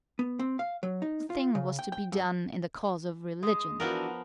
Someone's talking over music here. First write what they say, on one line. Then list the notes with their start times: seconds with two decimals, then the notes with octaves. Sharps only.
The thing was to be done in the cause of religion.
0.19 B3
0.39 C4
0.59 F5
0.83 F#3
1.02 D#4
1.30 F4
1.55 C#3
1.79 G5
1.92 G5
2.12 F#2
3.43 G#3
3.80 E3 F3 B3 D4 F#4 A#4